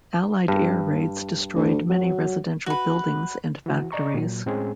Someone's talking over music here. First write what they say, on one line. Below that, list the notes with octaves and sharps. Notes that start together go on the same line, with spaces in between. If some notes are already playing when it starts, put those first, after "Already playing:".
Allied air raids destroyed many residential buildings and factories.
G2
D2
F#3
F#4 B4
E3 F#4
D5 D#5 A#5 C#6
A#2 F#3
A2 G#3 C4 C#4 G#4